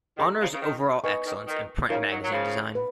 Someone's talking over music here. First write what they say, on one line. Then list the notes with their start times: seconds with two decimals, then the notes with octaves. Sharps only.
Honors overall excellence in print magazine design.
0.18 D#3 G#4 D#5 A#5
0.40 C#3 F3
0.53 C#3
0.62 D#3
1.04 D#3 B4 D#5 G#5 C#6
1.26 D#3
1.47 D#3
1.89 C#3 F3 D#4 A#4 C#5 F5
2.10 D#3 F#3
2.24 F#3
2.32 C#3 F3
2.75 B4